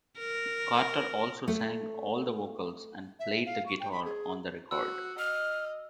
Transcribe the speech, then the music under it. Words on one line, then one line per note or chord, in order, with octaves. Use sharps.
Carter also sang all the vocals and played the guitar on the record.
A#4
A3
E5
F5
C#6
G5
B5
G#4
F#4 E6
D#5 F6